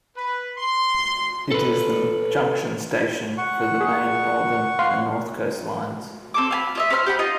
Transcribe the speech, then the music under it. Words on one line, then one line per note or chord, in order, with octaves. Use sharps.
It is the junction station for the Main Northern and North Coast lines.
B4
C6
A4 B4
F#5 C#6
G#4
F5 C6
C4 A4 D6
F5 G#5 B5
F4 D#5 E5
C#4 C5 B5 F6
G4 F#5 B5
D#4 F4 D#5